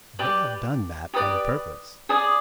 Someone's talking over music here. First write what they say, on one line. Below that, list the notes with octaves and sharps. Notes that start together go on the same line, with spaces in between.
They have done that on purpose.
G4 B4 D5 D6
G4 B4 D5 D#6
G#4 D5 D#6